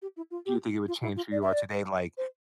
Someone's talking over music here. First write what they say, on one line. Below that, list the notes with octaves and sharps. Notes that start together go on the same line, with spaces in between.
Do you think it would change who you are today, like,
G4
E4
F4
G4
F4
E4
F4
D5
E5
D5
C5